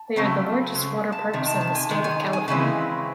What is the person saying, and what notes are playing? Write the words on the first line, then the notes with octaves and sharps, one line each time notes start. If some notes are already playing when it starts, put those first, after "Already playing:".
They are the largest water parks in the state of California.
Already playing: A5
C#3 F#3 A3 C4
C#3 G#3
A5
C3 D#3
A5
A5
G#5
D#3 G#3
G#5
G#5
C#3 E3 G#3 C4